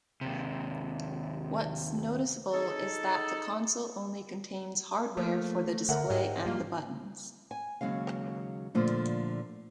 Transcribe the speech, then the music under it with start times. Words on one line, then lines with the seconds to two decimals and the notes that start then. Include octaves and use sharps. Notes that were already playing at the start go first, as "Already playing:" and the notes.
What’s noticeable is that the console only contains hardware for the display and the buttons.
0.21 D#2 C3
2.53 D#4 G#4 A4
5.17 F3 A3 A#3 F4
5.89 D3 A#4 E5 F#5
6.10 G#2 G#3 G4 D#5
6.46 G3 A#3 F4
7.51 G#5
7.81 D#2 C#3 F#3 G#3 F5
8.74 A#2 D3 F3 A3